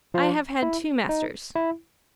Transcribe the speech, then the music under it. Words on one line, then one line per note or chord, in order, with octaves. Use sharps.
I have had two masters.
F3 F4
E4
D#4
E4